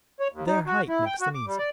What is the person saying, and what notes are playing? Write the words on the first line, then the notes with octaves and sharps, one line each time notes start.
Their height makes them easy.
C#5
D#2
D#4
F#4
E4
G5
F#4
D6
G3
D5